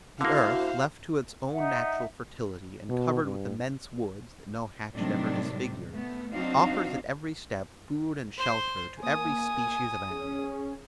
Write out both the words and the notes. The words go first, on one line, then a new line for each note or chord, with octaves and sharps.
The earth left to its own natural fertility and covered with immense woods, that no hatchet ever disfigured, offers at every step food and shelter to every species of animals.
D3 A#3 E4 F#4 C5 F5
D#4 E5 F#5
B2
G2
A2 C3 D#3 F#3 G3 D4
A3 B3
F#3 C4 D4 D#4 F#4 F5
C5 C6
A#3 G#5 D#6
C#4 G#4